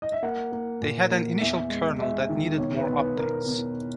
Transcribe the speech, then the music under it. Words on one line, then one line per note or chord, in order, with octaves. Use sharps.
They had an initial kernel that needed more updates.
D#5
E5
A#3 F#5
A#3
A#2
A#3
E2 E5
G#3
G#3 E5
D#3
B2 C#5
B4
B2
B4
B2 A#4
B2